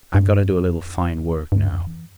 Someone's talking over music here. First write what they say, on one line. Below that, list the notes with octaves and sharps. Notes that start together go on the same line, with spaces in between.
I've got to do a little fine work now.
G2
F2
G2
G2
F2
E3